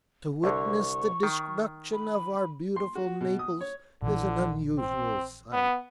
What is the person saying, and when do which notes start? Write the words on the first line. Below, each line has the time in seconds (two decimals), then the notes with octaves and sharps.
To witness the destruction of our beautiful Naples is an unusual sight.
0.44 C2 D3 C#6
1.23 D#3
1.93 B5
2.76 C6
2.95 F#4
3.21 B2
3.39 D#6
3.61 C#5
4.02 A#1 D3 E3
4.78 C4
5.53 B3